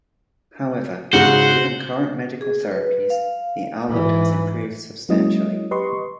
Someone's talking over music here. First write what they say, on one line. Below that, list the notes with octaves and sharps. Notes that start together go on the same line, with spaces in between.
However, given current medical therapies, the outlook has improved substantially.
G#2 C#3 F#4 C5 F#5
G#4
B4
F5
G#2 E3
F#3 G#3 A#3 C#4 E4 D#5
G4 B4 D#5 C6 C#6